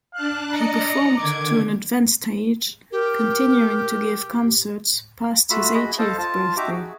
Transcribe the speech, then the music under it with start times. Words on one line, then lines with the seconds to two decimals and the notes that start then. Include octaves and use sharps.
He performed to an advanced age, continuing to give concerts past his eightieth birthday.
0.13 D4 F5 A5 F#6
0.51 D5 D#5 A#5 C#7
1.17 D3 D#3 D6 G#6
2.92 G4 A#4
5.50 A3 F4 F#4 B5 E6
5.74 F#4 G#4 D#5 B5
5.98 A4 C5 D#5 F5 A5
6.18 F4 A5
6.57 D#4 F#4 G4 E5 A#5 D6
6.72 F#4 G#4